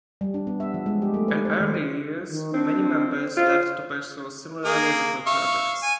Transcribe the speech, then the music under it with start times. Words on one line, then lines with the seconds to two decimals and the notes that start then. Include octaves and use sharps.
In early years, many members left to pursue similar musical projects.
0.21 G3
0.34 D4
0.47 B3
0.60 E5
0.74 F3
0.86 G#3
1.02 G4
1.14 A3
1.28 B4
1.45 C5
1.60 D#3
2.30 D#3
2.54 C4 D4
3.37 F4 C5
4.65 A#3 G#4
5.26 E5 F5 C#6
5.83 G#5